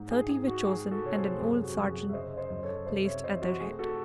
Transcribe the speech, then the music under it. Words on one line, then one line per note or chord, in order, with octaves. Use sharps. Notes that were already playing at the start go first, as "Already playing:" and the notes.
Thirty were chosen, and an old sergeant placed at their head.
Already playing: G#2
G#4
G#2 G#4
F#4
G#3 G#4
F#4 A4
C3 C#5
G#4 C5
F#2 G#4
F#4
F#2
G#4
E5
C#3 C5 D#5
C5 D#5
F#2
A4 C#5
C3 C5 D#5
C#5 E5
C3 C5 D#5
F#4
A3 G#4
F#4 A4